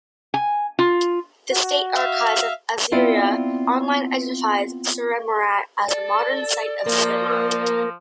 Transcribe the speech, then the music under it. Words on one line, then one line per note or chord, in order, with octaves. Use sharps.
The State Archives of Assyria Online identifies "Surimarrat" as the modern site of Samarra.
G#5
F4
F#4
E5 F5
B3 C4 E4 F4 D5 F5
A4 D5
F3 A#3 A#4